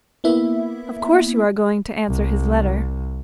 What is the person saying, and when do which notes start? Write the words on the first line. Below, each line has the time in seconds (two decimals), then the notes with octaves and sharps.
Of course you are going to answer his letter.
0.24 A#3 B3 E4 E5
2.08 C2